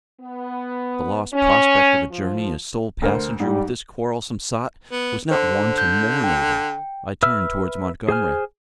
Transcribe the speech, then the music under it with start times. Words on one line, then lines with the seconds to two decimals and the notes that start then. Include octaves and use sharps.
The lost prospect of a journey as sole passenger with this quarrelsome sot was not one to mourn over. I turned towards Montgomery.
0.20 B3
1.33 C#4
2.10 F3
3.02 D2 A#4 C5
3.40 G#2 G3
4.91 B3
5.31 D3 C5
5.78 G6
6.24 G5
7.23 B4 E5 E6 F6
8.09 G#4 C5 G#5 F6